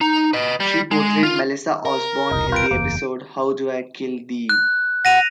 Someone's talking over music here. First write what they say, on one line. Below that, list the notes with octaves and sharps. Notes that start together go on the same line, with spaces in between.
She portrayed Melissa Osborne in the episode How Do I Kill Thee?
D#4
B4 D#5
G3
G#3
F4
A#4
E1 C2 D#4
F4 B4 G5 G6 D7
F#1 E2 A#3
F#6
F#5 A#6 D#7 F7